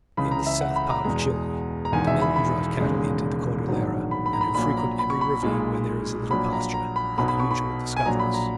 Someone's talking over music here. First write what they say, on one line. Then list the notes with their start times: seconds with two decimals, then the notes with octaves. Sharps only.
In this south part of Chile, the men who drive cattle into the Cordillera, and who frequent every ravine where there is a little pasture, are the usual discoverers.
0.17 C#2 C#3 E3 B5
0.31 A#5
0.46 E5
0.61 F#5
0.76 B5
0.90 A#5
1.04 E2 B2 G#3 A#5
1.85 A#5
1.92 E1 E2 D#3 G#3 G#5
2.07 E5
2.22 B5
2.36 B5
2.80 E1 D#2 C#3 G#3
3.68 A#1 G#2 D#3 F#3
4.11 B5
4.26 B5
4.33 A#5
4.41 B5
4.55 A#1 A#2 F#3 B5
4.77 A#5
4.99 B5
5.10 C#6
5.21 B5
5.42 B1 A#2 G#3
6.31 A#1 A#2 F#3 B5
6.53 A#5
6.74 A#5
6.96 B5
7.18 B1 B2 F#3 B5
7.28 B5
7.40 C#6
7.51 B5
7.96 G#5
8.06 A#1 A#2 F#3 A#5
8.19 B5
8.34 A#5